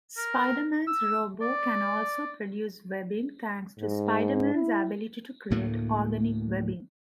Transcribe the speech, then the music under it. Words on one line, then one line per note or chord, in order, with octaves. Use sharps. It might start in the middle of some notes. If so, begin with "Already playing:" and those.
Spider-Man's robot can also produce webbing thanks to Spider-Man's ability to create organic webbing.
A#4
E6
D5
G#2
E4
D2 A2 A3 A#3